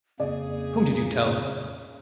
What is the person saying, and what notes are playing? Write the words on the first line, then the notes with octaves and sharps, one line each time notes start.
Whom did you tell?
F2 C#3 A#3 G#4 D5